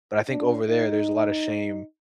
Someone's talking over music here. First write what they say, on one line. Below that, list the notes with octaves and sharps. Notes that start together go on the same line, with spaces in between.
but I think over there, there's a lotta shame
D4
D#4